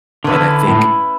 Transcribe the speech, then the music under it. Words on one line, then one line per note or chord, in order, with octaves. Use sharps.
and I think
D3 C#4 E4 B4 E5
A2